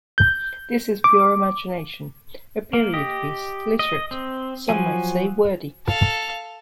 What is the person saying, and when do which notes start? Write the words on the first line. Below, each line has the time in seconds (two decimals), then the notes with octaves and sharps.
This is pure imagination, a period piece, literate - some might say wordy.
0.18 G6
1.04 D6
2.73 A#3
2.94 G4 D#5
3.79 D#5
4.11 C4
4.69 F3 F#3 G#5
5.86 A4 F5